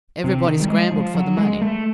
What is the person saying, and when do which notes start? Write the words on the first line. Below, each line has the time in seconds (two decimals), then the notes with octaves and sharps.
Everybody scrambled for the money.
0.24 C3
0.47 D#3
0.61 G3
0.69 G#3
0.92 F3
1.15 F#3
1.38 G#3
1.62 A3